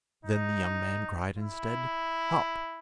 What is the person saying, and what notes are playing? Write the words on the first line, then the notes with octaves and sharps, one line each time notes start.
Then the young man cried instead, 'Hop!
D#4
E4